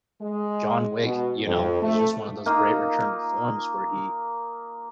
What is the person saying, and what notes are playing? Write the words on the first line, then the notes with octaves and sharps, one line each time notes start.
John Wick, you know, was just one of those great return to forms where he
G#3
B2
F2
A3
A#3 D#4 F4